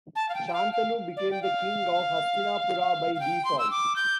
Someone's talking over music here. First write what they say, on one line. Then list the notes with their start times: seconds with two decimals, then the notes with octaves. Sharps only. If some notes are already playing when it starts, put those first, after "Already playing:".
Shantanu became the king of Hastinapura by default.
0.15 A5
0.28 F5
0.34 G5
0.46 G5
0.53 F5
0.72 F5
1.16 D5
1.30 G5
1.42 F5
3.14 F5
3.19 G5
3.44 C6
3.58 E6
3.70 D6
3.95 G6